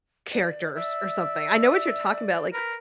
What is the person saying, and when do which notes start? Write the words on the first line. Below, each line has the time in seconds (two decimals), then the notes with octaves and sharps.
characters or something, I know what you're talking about, like,
0.31 D5
0.76 D5 E5
2.53 A#4 B4